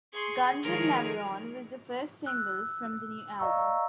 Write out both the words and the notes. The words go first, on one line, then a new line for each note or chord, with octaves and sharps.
"Guns of Navarone" was the first single from the new album.
G#4 C6 C#6
D#3 F3 G#3 G#4 A#4 C#5
E6 F#6
D5 D#5 F5 A#5 C#6 E6